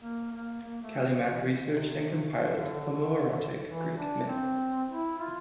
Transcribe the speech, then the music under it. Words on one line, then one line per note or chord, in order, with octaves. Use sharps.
Calimach researched and compiled homoerotic Greek myths.
A#3
A#3
A#3
A3
F3
E3
C3
D3
E3
D4
C4
E4
F4